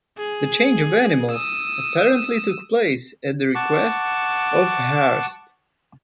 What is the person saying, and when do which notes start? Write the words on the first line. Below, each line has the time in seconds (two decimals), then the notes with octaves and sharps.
The change of animals apparently took place at the request of Hearst.
0.18 G#4
1.31 D#6 E6
3.55 F#5 A5 C#6 D6